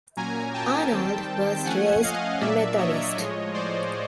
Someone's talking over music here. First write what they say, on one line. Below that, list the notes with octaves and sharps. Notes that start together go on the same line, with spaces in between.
Arnold was raised a Methodist.
A#2 F#3 A#3 C#4 G#5 A#5
G5 A5
D#3 G3 C4
F3 A3 C#4 F#5 G#5
D#5 F5
A#2 F#3 A#3 D4 D5 E5
C#5 D#5
A2 F3 G#3
C5 D5